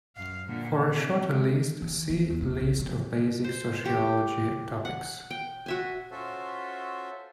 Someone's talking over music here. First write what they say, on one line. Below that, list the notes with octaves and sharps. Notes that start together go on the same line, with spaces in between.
For a shorter list, see List of basic sociology topics.
F#2 F5
A#2 D3
C3
G#3
E3
F4
E2
B2
B1
F3
C5
G4 C#6
F#5
G5
F#4 E5 G#5
C#4 F4 F#4 A4 C5 E5